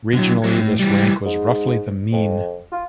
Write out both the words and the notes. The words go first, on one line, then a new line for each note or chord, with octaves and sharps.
Regionally, this rank was roughly the mean.
D3 F#3
F#3 C4
A2
E3 G3
G#2
F2
F4